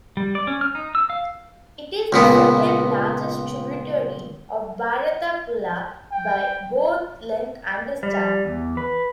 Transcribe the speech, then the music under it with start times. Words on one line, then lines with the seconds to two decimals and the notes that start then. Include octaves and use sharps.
It is the second largest tributary of Bharathapuzha, by both length and discharge.
0.17 G3
0.35 D5
0.47 C#4
0.61 F6
0.75 D#4
0.95 E6
1.10 F5
2.13 C#2 A#2 B3
6.12 G5
8.03 G3
8.45 E2
8.77 B4